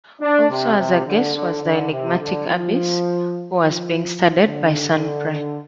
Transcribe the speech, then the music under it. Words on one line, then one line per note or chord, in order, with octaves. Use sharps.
Also as a "guest" was the enigmatic Abyss, who was being studied by Sunpyre.
D4
C3
C3
D3
D3
D3
C3
D3
F3
F3
D3
D3
D3